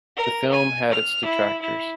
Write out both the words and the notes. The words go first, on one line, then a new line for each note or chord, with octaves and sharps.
The film had its detractors.
A#4
G#5
F6
E4
E4